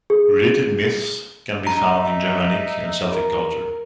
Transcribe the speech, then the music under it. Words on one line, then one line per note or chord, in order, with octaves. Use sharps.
Related myths can be found in Germanic and Celtic culture.
G#4
D#4 E5 A#5
A#4